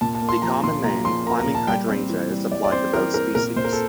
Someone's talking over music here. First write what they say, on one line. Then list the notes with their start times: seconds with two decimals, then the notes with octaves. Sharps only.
The common name Climbing hydrangea is applied to both species.
0.01 A#2 A5
0.15 A5
0.21 A#3
0.29 C6
0.42 F3 A#5
0.64 A#2 C6
0.84 A#2 A#5
1.05 F3 C6
1.26 A#3 A#5
1.40 A#5
1.47 A#2
1.55 A5
1.67 G3 G5
1.88 C4
2.09 E3
2.30 G3
2.51 G3 D5
2.64 D5
2.72 C4 C5
2.93 E3 A#4
3.14 C4 A#4
3.35 A#2 A#4
3.56 A#2 C5
3.65 A#4
3.73 A4